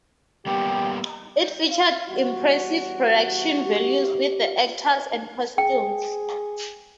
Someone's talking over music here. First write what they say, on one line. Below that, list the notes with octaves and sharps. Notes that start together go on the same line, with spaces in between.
It featured impressive production values with the actors and costumes.
G3 A#3 B3 G4
E2 G3 F#4
G4
G#4 G5